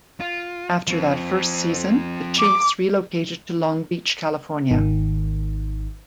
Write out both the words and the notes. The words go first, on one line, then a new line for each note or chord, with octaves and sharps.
After that first season, the Chiefs relocated to Long Beach, California.
F4
F3 C4
D6
G#1 D#3